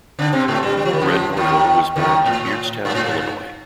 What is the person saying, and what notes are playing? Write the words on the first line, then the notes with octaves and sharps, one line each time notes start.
Red Norvo was born in Beardstown, Illinois.
D3 D4
C3 C4
A2 A3
G2 G3
G3
F3
D#3
F2 F3
F3
D#2 D#3
D#2 D#3
A2
G2
A2
G2